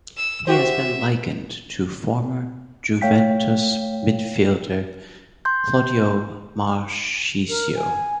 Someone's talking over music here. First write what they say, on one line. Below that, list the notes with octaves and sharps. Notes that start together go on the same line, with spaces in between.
He has been likened to former Juventus midfielder Claudio Marchisio.
E6
F#4 G4 C5 E5
A3 C#5 F5 G5 B6
C6 G6
A#4
G#5